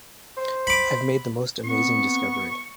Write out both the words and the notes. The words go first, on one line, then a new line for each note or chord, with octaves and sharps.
I've made the most amazing discovery!
C5
B5 D6
B3 C4 C#6